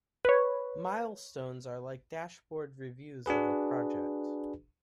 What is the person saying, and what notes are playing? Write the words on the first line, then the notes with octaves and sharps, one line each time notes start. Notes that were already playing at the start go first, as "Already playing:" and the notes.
Milestones are like dashboard reviews of a project.
B4 C#5
D4 F#4 G#4 B4